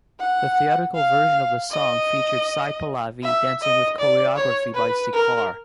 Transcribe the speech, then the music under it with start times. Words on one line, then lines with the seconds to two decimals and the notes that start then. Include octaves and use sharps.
The theatrical version of the song featured Sai Pallavi dancing with choreography by Sekhar.
0.20 F#5
0.95 F5
1.71 D#5
3.23 E5
3.62 D#5
3.99 D5
4.37 C#5
4.74 B4
5.13 A#4